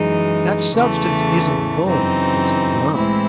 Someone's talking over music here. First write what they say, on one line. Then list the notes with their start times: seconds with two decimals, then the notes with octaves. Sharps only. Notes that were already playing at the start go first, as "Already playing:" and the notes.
That substance isn't bone, it's gum.
Already playing: F#2 E3 G#3 D#4
0.75 E2 C#3 E3 A3
1.85 F#2 C#3 E3 C4 D#4
2.95 A2 E3 G#3 C4 E4